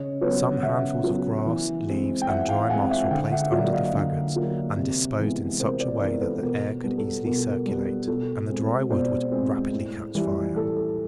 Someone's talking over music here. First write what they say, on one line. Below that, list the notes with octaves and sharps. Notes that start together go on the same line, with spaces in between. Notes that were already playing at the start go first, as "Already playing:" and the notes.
Some handfuls of grass, leaves, and dry moss were placed under the fagots and disposed in such a way that the air could easily circulate, and the dry wood would rapidly catch fire.
Already playing: C#3 C#5 D#5
F#3 B3 B4 C#5
C#3 E5 F#5
F#3 B3
E3
G#3 C4
G5
E3 E5 F#5
F5 G5
G#3 C4 F#5 G#5
E5 F#5
D3 F5 G5
E5 F#5
F#3 A#3 D5 E5
D#5 F5
D3
F#3 A#3
C3
E3 G#3 B3
C3 A#4 C5
C5 D5
E3 G#3 B3 A#4
A4 B4
B2 A#4
G3 B3
A4
B2 A#4
A4
A#4
G3 B3 A#4
B2 A4
G#3 C4
B2 C5 D5
G#3 C4
A2
E3 G3
A2 A4
A4